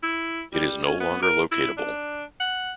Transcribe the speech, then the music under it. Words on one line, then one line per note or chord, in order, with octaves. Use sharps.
It is no longer locatable.
E4
G3
C#4
B3
A#4
E4
D4
F#5